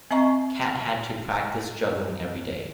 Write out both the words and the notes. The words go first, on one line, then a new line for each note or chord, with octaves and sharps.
Cat had to practise juggling every day.
C4 D#5 E5 A#5 C#6